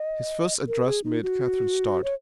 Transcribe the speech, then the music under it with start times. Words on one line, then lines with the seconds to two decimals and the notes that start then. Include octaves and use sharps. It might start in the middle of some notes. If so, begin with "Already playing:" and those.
His first address made Catherine start.
Already playing: D#5
0.68 A#4
0.86 G#4
1.04 D#4
1.23 F#4
2.04 C#5